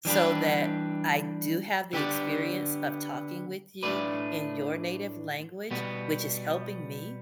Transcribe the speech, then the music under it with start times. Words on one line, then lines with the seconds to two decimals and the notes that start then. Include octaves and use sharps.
so that I do have the experience of talking with you in your native language which is helping me"
0.05 E3 G3 D4 G4 B4
1.93 D3 B3 G4 D5
3.83 A2 A3 D4 B4 D5
5.71 B2 G3 B3